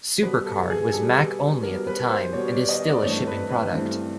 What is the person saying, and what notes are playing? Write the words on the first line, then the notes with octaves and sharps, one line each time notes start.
SuperCard was Mac-only at the time, and is still a shipping product.
B2 G3 B3 B4
A4
G#4
B2 G3 B3 A4
B2 G3 B3 A#4
B4
C5
B2 G3 B3 C#5
D5
D#5
D5
G2 E3 A3 C4 C#5
B4
B4
G2 E3 A3 C4